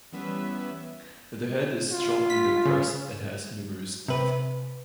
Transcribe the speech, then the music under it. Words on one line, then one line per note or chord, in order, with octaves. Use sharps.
The head is strongly depressed and has numerous teeth.
E3 G3 B3 C#4 B4 E5
F4
B6
C#3
C3 B4